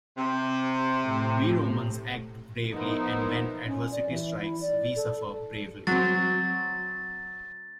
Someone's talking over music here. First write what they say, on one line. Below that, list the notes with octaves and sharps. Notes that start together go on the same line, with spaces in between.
We Romans act bravely and, when adversity strikes, we suffer bravely.
C3
A2
F3 B3 D#4 E4 A#4 C5
C#4
D5
E3
E4
D5
A4
F#3 C4 A6